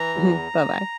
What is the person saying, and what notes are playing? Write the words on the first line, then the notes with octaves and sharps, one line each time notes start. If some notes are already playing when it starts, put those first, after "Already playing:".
Mhm. Bye-bye.
Already playing: E3 A#5
E2